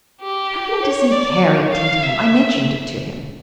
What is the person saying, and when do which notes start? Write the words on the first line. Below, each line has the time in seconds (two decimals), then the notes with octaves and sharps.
Happening to see Carey at teatime, I mentioned it to him.
0.22 G4
0.83 C#5
1.12 D5
1.43 C#5
1.72 F5
2.03 E5